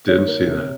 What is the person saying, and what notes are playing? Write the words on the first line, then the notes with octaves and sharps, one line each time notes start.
Didn't see that.
D#3 C#5
A#3
C3